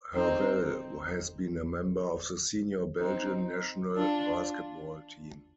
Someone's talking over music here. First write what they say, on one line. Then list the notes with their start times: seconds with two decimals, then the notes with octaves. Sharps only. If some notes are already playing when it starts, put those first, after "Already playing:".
Hervelle has been a member of the senior Belgian national basketball team.
0.13 C4 D#4
3.00 C4 D#4
3.95 D4 F4